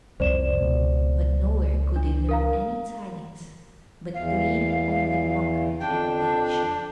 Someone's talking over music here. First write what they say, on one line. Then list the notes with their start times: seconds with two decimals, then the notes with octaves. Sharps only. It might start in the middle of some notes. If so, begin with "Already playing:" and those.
But nowhere could they learn any tidings, but gleaned only mockery and derision.
0.20 C2 F2 C5 D5 E7
0.58 C#2 B2
1.96 D4
2.29 A#4 F5 A#5
4.14 E2 F5
5.80 F2 D4 G5